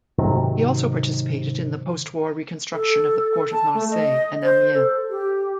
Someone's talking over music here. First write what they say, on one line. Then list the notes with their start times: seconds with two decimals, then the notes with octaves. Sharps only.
He also participated in the postwar reconstruction of the port of Marseille and Amiens.
0.18 G#2 C3 D#3 F#3
2.74 A4
3.52 A5
3.74 A3
3.91 D#5
4.43 C5
4.74 A4
5.10 G4